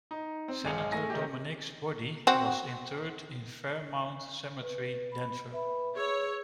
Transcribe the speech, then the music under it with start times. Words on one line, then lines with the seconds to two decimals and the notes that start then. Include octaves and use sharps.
Senator Dominick's body was interred in Fairmount Cemetery, Denver.
0.11 D#4
0.48 C4
0.64 B1 G#2 G#4 C#7 F7
0.92 A3 G#5 A#6
1.10 D#3 A3 G4
2.27 C4 F#4
4.61 B4
5.12 B5
5.52 B4 E5 B5
5.96 G#4 C#5 E6